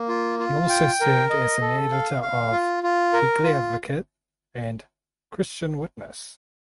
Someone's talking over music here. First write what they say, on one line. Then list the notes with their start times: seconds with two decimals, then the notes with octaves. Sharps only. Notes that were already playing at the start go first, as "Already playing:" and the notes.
He also served as an editor of "Weekly Advocate" and "Christian Witness".
Already playing: A#3
0.09 F4
0.39 F4
0.69 G5
1.01 A#4
1.30 D#5
1.61 A4
1.92 F5
2.22 F5
2.52 F4
2.83 F4
3.13 A#4
3.43 F4